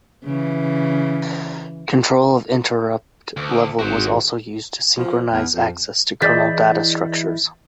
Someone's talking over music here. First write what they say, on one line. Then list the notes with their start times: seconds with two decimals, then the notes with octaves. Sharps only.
Control of interrupt level was also used to synchronize access to kernel data structures.
0.25 C#3 E3
3.37 D2
3.79 G#1 F#4 C5
4.98 F3
5.32 E2
5.54 F2
6.22 E3 E4 G#4 D5 D#5 G6 A6 B6